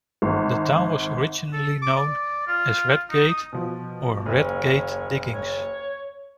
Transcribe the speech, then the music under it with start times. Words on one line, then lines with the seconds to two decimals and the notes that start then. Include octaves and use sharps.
The town was originally known as Redgate, or Red Gate Diggings.
0.22 G#1
1.53 A4
1.82 D6
1.97 D5
2.47 F4
3.10 D#4
3.29 D#6
3.53 B2 F3
4.26 F#1 D#2 C#5
5.33 C#5